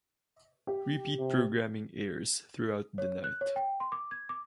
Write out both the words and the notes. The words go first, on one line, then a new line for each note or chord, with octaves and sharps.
Repeat programming airs throughout the night.
G4
C3
C#5
F#6
C#5
G5
C6
D6
G#6
D6